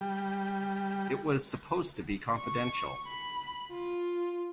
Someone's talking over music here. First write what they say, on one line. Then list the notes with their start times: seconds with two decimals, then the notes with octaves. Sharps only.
It was supposed to be confidential.
0.01 G3
2.38 C#6
3.07 B5
3.72 F4